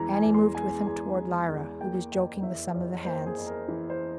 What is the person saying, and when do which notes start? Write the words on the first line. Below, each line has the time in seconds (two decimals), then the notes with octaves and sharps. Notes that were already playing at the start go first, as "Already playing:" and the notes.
Annie moved with him toward Lyra, who was joking with some of the hands.
Already playing: E2 E3 G#3 A#5
0.13 G#5
0.23 E2
0.34 C6
0.55 G#3 G#5
0.86 E2 G#5
1.17 E3
1.48 E2
1.81 A#3 G5
2.12 F2 G5
2.42 E3 E5
2.74 F2 C#5
3.05 A#3 C5
3.26 G#4
3.37 F2
3.47 A#4
3.68 E3
3.90 C5